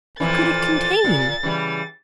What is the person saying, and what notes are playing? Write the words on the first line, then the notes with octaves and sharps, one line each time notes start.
What could it contain?
F2 A#2 E3 A6
A#2
C#3 E3 G3